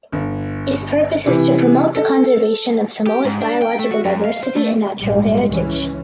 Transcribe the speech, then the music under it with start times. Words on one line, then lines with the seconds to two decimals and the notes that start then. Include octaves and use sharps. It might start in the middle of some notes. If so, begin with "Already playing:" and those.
Its purpose is to promote the conservation of Samoa’s biological diversity and natural heritage.
0.12 G1
1.26 C3 E3
1.96 A4
3.07 G4
3.25 G#2
3.40 D4
3.62 G5
3.79 A3
3.91 F#4
4.05 F#2
4.25 F5
4.43 C5
4.56 A3
5.01 A#1 G#2 G3 G#3
5.46 C#2 E3 C#4